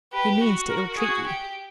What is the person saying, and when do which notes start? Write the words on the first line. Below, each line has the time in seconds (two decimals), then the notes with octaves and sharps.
"He means to ill-treat you."
0.13 G4 B4
0.40 F#4
0.69 A#4
0.97 F#4 G#4
1.27 G4